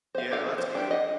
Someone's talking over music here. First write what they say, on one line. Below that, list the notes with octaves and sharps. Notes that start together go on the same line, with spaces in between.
Yeah, that's good.
C5 F5
D4 A4 F5
E4 G#4
C5
D4 E4 G4
D#5 F#5